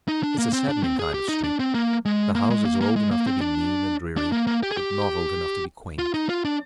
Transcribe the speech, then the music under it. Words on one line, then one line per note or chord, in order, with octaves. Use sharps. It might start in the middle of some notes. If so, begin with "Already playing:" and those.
It's a saddening kind of street; the houses are old enough to be mean and dreary, but not old enough to be quaint.
D#4
D4
A#3
C4
D4
C4
G#4
G4
D#4
D4
C4
A#3
G#3
A#3
G#3
A#3
A#3
G#3
A#3
C4
D4
D4
A#3
A#3
G4
G#4
G4
F4
D#4
F4
D4